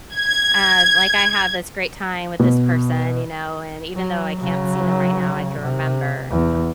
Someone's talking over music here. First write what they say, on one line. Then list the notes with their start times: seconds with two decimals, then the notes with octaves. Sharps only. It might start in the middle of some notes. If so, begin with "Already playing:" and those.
uh, like, I had this great time with this person, you know, and even though I can't see them right now, I can remember
0.15 G#6
2.40 B2
3.95 F#3
4.40 C#3 F#3
5.60 C3
6.31 E2